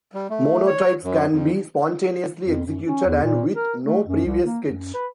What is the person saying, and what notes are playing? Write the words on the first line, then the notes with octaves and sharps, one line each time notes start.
Monotypes can be spontaneously executed and with no previous sketch.
G3
A3
C#5
F#2
F2
F2
F#2
C#4
E2
A#2
A#4
A3
F#2
C2
A#3
F#2
B4